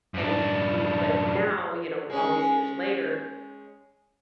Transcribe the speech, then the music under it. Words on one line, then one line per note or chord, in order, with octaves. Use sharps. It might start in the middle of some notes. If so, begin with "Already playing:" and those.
And n but now, you know, all these years later,
F#2 D4
G#3 C#4